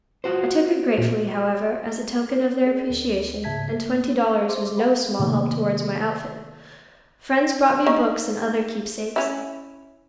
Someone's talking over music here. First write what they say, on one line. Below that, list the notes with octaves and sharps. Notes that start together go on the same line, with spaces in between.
I took it gratefully, however, as a token of their appreciation, and twenty dollars was no small help toward my outfit. Friends brought me books and other keepsakes.
F4 F#4 C5
A#2
C4 G#4 A#4 D5
D2
G#2 C#3 E5 A5 G#6 B6
A#3
C5 C6 D6
F#5 B5
C3 D#3 A3 A#3
D#3
C#4 E4